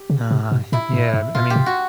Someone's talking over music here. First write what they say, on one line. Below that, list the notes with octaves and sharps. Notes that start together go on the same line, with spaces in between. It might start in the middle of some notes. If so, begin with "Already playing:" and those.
Nah, yeah, b I mean,
Already playing: G4
C#3
C3
B2
A#2 E4
A2
G#2
A#2 F4
G4
C3
F#4